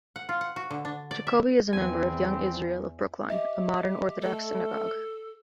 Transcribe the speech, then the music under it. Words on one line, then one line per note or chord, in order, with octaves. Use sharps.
Jacoby is a member of Young Israel of Brookline, a modern Orthodox synagogue.
F#5
F4
F#5
F#4
D3
D4
D5
E5
E2 C4 G#5
G4 D#5 E5
A3 A4